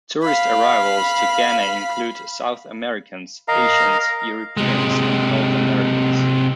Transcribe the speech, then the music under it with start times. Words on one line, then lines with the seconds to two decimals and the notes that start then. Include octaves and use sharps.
Tourist arrivals to Ghana include: South Americans, Asians, Europeans, and North Americans.
0.22 F5 B5
3.48 A#4 D#5 F5 A#5
4.57 C3 G#3